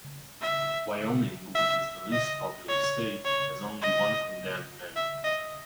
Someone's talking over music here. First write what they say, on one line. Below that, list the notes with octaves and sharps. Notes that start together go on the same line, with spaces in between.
Wyoming, which is the least populous state, has only one condemned man.
E5
E5
D#5
C#5
C#5
D#5
E5
D#5